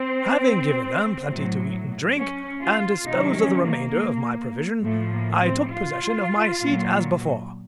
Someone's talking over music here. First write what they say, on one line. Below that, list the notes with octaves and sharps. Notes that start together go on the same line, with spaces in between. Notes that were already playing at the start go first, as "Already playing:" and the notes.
Having given them plenty to eat and drink, and disposed of the remainder of my provision, I took possession of my seat as before.
Already playing: C4
A2 F#3
C#4
F4
C3 D#3 F#3 D#4
C#4
A#3
A2 F3 A3
A#3
C4
F4
A#2 F#3